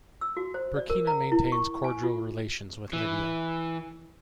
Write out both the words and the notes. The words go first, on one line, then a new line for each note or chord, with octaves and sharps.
Burkina maintains cordial relations with Libya.
E6
F#4
C5
D5
A#4
A#5
E4
C#6
G#5
F4
E3